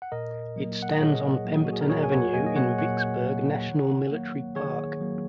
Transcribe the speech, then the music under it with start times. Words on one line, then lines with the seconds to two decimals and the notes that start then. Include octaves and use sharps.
It stands on Pemberton Avenue in Vicksburg National Military Park.
0.02 F#5
0.12 A#2 A#4 D#5
0.56 F#3 A#3
0.83 F#5
0.92 D#5
1.01 A#2 G#4 C#5
1.45 F#3 A#3
1.65 F#4
1.73 G#4
1.81 A#4
1.90 A#2 G#4 C#5
2.03 G#5
2.12 C#5 F#5
2.34 F#3 A#3 D#5 G#5
2.46 D#5
2.56 C#5 F#5
2.78 A#2 C#5 F#5
3.23 F#3 A#3
3.67 D#3
4.12 F#3 A#3
4.56 D#3 G#4 C#5
5.00 F#3 A#3